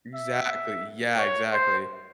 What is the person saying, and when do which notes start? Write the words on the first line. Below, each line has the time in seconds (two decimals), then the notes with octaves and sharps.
Exactly, yeah, exactly.
0.15 E5
1.18 C#5
1.53 C5